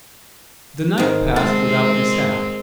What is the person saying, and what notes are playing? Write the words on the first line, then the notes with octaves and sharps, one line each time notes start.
The night passed without mishap.
G#2 D#3
G#3 C4 A4